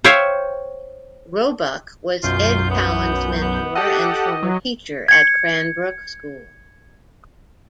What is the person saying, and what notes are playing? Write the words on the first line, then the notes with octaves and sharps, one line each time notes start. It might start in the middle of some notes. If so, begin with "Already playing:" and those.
Roebuck was Ed Cowan's mentor and former teacher at Cranbrook School.
C5 C#5 E5 F5 G5
B1 F#2 F4 G6
B3
B3
G4 A4 D#5 F#5
F#3
G#6 C#7